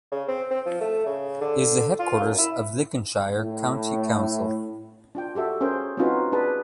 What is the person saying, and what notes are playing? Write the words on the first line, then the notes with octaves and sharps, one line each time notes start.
It is the headquarters of Lincolnshire County Council.
C#3
C4
C4
F3
A3
C#3
D3
F4
F#2
E4
A2
D4 F4 G5
F#4 G4 A4 E5
C#4 G#4 A#4 C5 G5
C4 C#4 D#4 F4 F#4 B4
D4 G#4 B4 A5